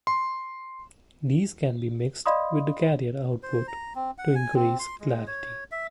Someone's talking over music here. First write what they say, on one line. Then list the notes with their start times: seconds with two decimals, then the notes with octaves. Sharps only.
These can be mixed with the carrier output to increase clarity.
0.07 C6
2.26 D5 D#5 F5 B5 C6 D#6
3.43 C5
3.68 A#5
3.95 C4
4.18 F#5
4.35 G#5
4.55 C4
4.79 C6
5.01 G#3
5.27 C#5
5.71 E5